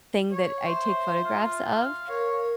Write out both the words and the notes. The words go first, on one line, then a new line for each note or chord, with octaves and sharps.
thing that I take photographs of,
C#5
C5 E5 C6
F4
F5
A#4 C#5 F5